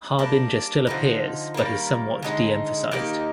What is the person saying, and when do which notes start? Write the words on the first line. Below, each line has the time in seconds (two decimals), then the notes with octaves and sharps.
Harbinger still appears but is somewhat de-emphasized.
0.19 G3 A#3 D4
0.87 D3 F3 G#3 D#4
1.54 D#3 G3 A#3
2.22 D3 G#3 D#4
2.91 D#3 A#3 D#4 G4